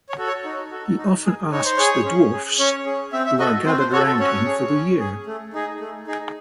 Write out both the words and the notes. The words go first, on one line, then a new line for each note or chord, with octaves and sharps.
He often asks the dwarfs who are gathered around him for the year.
C#5
F#4 A4
C#5
D#4
F#4 A4
D#4
G#4
D#4 C#5
C5
G#4 C#5
C#4
G#4
C#4 C#5
G#4
C4 E5
E5
F#4 A4 D#5
C4 C5
C5
F#4 A4 C#5
A4
C#4 C#5
G#4
C#4
G#4
A3
D#4 G#4
A3
D#4 G#4